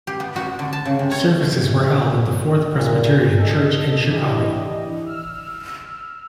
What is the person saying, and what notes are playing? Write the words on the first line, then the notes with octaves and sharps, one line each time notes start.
Services were held at the Fourth Presbyterian Church in Chicago.
G4
B3
F#4
D3
A5
C#3
C3
C#5
A#2
A4 D#5
E3 D4 E4 G4 D#5
E6 F6